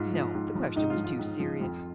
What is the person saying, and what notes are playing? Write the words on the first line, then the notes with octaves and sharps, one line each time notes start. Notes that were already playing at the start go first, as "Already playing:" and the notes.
No--the question was too serious.
Already playing: G#2 F4
F3
G#2
F3
G#2 D#4
F4
F3
F4
G#2
F3
F2